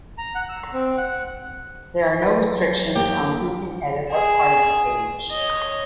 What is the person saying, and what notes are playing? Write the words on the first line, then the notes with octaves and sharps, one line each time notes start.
There are no restrictions on who can edit what part of the page.
A#5
F#5
E6
C4
F#5
F#3 B4
F#2 A#3 G4
G#4 E7
C#5 D#5